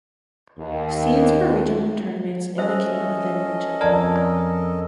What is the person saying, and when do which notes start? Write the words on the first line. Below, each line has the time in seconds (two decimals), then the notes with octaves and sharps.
Seeds for regional tournaments indicate seeds within regional.
0.59 D#2
2.58 C#4 A4 C5 D#5 E5
3.81 F2 A#4 D5 A5